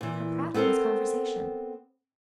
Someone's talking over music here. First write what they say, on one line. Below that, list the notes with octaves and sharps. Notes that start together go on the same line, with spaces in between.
Her prattle was conversation.
A#2 E3
B3 C4 A4 A#4 C5